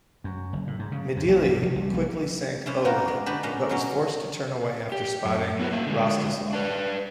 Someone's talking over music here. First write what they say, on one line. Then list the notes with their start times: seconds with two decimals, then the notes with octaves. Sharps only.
"Midilli" quickly sank "Oleg" but was forced to turn away after spotting "Rostislav".
0.24 F#2
0.53 F#1
0.67 A2
0.79 G#2
0.92 C#3
1.17 F2
1.28 A#1
1.48 G2
1.62 F1
1.75 C2
1.94 A#1
2.66 C3 C#4 E4
2.85 A#3 B3 D#4 F4 F#4 A#4
3.08 G#3
3.26 D3 D4 F#4 G4 B4 B5
3.43 A#2 G#3 B3 C#4
3.69 B2 F#3 C#4
4.92 G4
5.25 F#2
5.59 B3 E4 F#4 G4 A#4 B4
5.71 A#3 E5
5.86 D3 G#3
6.53 D4 B4